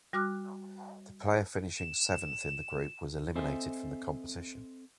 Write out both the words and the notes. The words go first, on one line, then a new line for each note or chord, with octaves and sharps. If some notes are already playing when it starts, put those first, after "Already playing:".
The player finishing seventh in the group was eliminated from the competition.
G3 F#4 D6 F6 F#6
E7
C4 A4 C5 D#5 E5 G#5